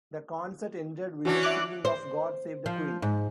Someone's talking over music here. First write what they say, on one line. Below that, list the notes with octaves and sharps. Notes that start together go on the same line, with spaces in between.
The concert ended with the singing of "God Save the Queen".
E3 C#4 D4 F#4
E5 D6 F#6
C5
F3
G#2